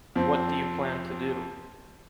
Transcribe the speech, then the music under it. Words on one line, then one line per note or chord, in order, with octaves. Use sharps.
What do you plan to do?
F2 C4